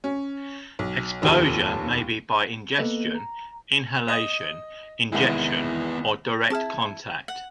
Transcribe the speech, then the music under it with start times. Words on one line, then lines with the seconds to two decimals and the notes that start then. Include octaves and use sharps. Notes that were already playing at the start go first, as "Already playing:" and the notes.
Exposure may be by ingestion, inhalation, injection, or direct contact.
0.04 C#4
0.79 B1
1.22 F1 D#2 A#2 G4 A4
2.79 A#3 B3 A4 B4 D#5
3.15 A#5
4.08 D#5
5.12 C2 D#3 G#3 B3 E4
6.50 C4 E4 G#4 A5 F6
7.28 F#5